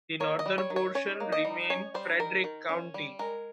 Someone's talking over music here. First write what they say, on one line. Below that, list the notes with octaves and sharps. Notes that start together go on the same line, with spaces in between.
The northern portion remained Frederick County.
A#3 C#5
D#5
G3
C#5
D#3
C#5
C#4 C#5
A#3
D#5
G3
C#4 C#5
G3 C5
D#3 A#4
D#3
C#4
G3
G#3 A#4